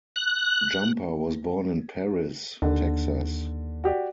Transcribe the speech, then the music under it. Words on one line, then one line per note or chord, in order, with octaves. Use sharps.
Jumper was born in Paris, Texas.
F#6
D#2 D3
F#4 G4 D5